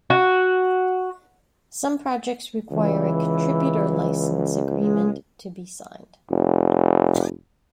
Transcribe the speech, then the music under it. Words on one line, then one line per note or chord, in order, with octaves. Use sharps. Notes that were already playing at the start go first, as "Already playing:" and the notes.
Some projects require a Contributor License Agreement to be signed.
F#4
C#2 E3
G#3
F1